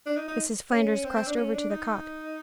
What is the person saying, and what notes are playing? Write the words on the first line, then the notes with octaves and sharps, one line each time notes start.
Mrs. Flanders crossed over to the cot.
D4
D#4
D#4
C#4
C4
C4
D4
C#4
D4
D#4